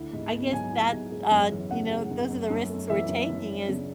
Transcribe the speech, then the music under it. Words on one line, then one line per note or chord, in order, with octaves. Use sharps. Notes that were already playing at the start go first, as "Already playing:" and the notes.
I guess that, uh, you know, those are the risks we're taking as
Already playing: D2 E4
G#2
B3
F#3 G#5
E4
G#2
G#3
F#2
E3
C#3 F#5
G#3
F#2
F#2
F#2
A3
E3 E5
F#2
F#2
D4
C#3